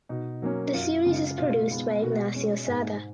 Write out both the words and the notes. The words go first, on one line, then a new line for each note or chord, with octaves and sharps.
The series is produced by Ignacio Sada.
B2 D#4
F#3 A#3 C#4
F#2 F4
C#3 G#3 F4
B2 F4
G#3 B3
B2 F#4
G#3 C#4
G#2 G#4